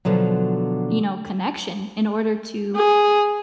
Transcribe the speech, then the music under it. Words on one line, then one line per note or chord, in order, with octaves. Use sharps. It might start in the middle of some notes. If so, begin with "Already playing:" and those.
you know, connection, in order to
B2 D3 F3 F#3
G#4